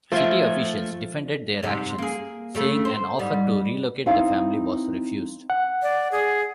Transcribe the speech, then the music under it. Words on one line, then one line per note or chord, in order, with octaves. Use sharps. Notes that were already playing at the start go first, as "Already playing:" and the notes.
City officials defended their actions, saying an offer to relocate the family was refused.
F3 A3 F4 E5
G#2 C3
A#3 G#4
C#3 A3
C5
G#2 G3
C4 D#4 E4 D#5 F5 G5
F#5
D5
G#4